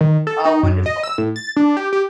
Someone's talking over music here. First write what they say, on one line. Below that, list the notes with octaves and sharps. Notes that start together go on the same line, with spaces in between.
Oh, wonderful.
D#3
A4
D#4
F#2
D#5
E6
A2
A6
D4
G4
G4